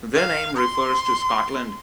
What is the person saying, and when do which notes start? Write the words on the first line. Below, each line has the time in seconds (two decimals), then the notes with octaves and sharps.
The name refers to Scotland.
0.14 F5
0.56 C6